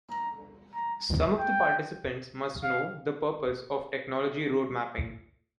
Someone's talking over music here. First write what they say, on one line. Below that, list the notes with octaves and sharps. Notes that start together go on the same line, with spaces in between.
Some of the participants must know the purpose of technology roadmapping.
A#5
A#5
G5
F5